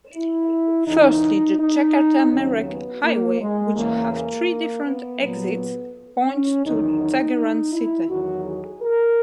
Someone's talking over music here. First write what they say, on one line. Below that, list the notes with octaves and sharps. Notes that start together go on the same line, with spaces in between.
Firstly, the Jakarta-Merak highway, which have three different exits points to Tangerang city.
E4
E2 C#3 E3 D#4
D#4
D#2 C#3 F#3 C#4
B3
A#3
G#3
E2 C#3 E3 A#3
A#3
B3
A#2 F#3
C#4
E2 D#3 F#3 D#4
D#4
E4
E2 D#3 F#3 F#4
G#4
A#4